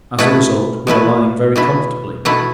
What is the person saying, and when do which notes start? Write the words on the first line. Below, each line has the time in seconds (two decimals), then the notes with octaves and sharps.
As a result we are lying very comfortably.
0.19 B2 A3 E4 B4
0.87 B2 A3 E4 B4
1.56 B2 A3 E4 B4
2.25 B2 A3 E4 B4